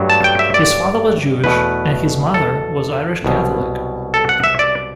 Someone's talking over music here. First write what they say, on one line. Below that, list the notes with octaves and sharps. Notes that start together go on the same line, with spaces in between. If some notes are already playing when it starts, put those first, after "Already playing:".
His father was Jewish and his mother was Irish Catholic.
Already playing: G2 F#3 A3
A5
G5
E5
D5
E2 B2 A3 B4
A4
C2 B2 F#3
A4
F#5
E5
D5